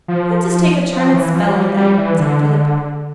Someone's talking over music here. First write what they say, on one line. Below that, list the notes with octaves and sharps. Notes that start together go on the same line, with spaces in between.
'Let us take a turn at spelling, then,' said Philip.
F3
F3
E3
F3
G3
G3
E3
D3